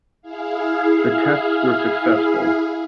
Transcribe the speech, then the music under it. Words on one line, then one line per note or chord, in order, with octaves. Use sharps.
The tests were successful.
E4 G#4 F5